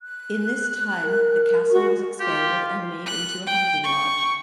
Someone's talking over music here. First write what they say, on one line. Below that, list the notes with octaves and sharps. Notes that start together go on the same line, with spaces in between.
In this time, the castle was expanded and made into a hunting lodge.
F#6
A#4
F#4 C#6
F4 G4
F#6
G5
C#6